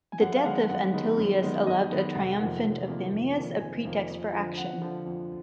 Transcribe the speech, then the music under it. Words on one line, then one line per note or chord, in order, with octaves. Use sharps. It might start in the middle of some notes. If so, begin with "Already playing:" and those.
The death of Antyllius allowed a triumphant Opimius a pretext for action.
G#5
F#2 F#5
F5
D#3 G#3 B3 F#5
F#2 F#5
D#3 G#3 B3
F#2
D#3 G#3 B3
F#2 D#5
D#3 G#3 B3
F1 F#5
F2 D#3 A#3 F#5
F1
F2 D#3 A#3
F1
F2 D#3 A#3
F1 G#5
F2 D#3 A#3
F2
D3 F3
F2 F#5
D3 F3
F2